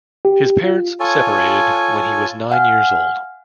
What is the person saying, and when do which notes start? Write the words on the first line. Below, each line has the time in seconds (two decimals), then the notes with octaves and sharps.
His parents separated when he was nine years old.
0.25 G4
0.64 F4
1.00 F4 A4 C#5 G#5
2.51 F5 F#5 G#5 F6